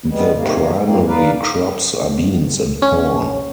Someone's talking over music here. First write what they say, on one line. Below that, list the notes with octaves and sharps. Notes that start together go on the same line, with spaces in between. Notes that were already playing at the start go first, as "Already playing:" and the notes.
The primary crops are beans and corn.
G3 G#3 B3
C3 D#3 A#3
F#2 A#2 A#3 C4
D#4 B4 D5 F5
C#4